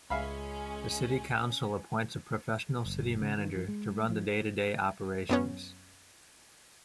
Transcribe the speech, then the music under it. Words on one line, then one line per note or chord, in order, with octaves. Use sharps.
The city council appoints a professional city manager to run the day-to-day operations.
C#2 G#3 C#4 E5 F5 B5
F#1
C#3
D#3
F3
G#3
F3
F#2 B3 C#4